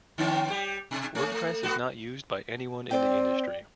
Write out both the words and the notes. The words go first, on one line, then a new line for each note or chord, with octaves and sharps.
Wordpress is not used by anyone in the industry.
D3 B3 C#4
G3 G4
B2
A3 C#4
A3
A3 B3 F#4
C4 D5 G5